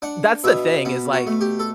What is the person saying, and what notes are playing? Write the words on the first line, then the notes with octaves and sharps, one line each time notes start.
That's the thing is, like,
D4 F#5
B2 E5
B2 F#4
F#4
A3
G4
A4